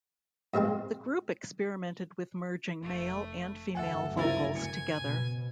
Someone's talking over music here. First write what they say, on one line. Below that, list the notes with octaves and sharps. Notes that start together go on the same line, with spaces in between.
The group experimented with merging male and female vocals together.
G2 A#2 G#3 C4
F1 A3
F#1 D2 G2 A4 E5 F#5 G#5
C#3 E4 A#4 C5 G#5 A6
G#5 C#7
B2